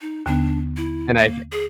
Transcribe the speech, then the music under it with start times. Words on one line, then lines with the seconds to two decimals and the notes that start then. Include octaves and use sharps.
And I th
0.01 D#4
0.26 D#2 D3 B3 D4
0.77 E4
1.18 A#3
1.52 G#4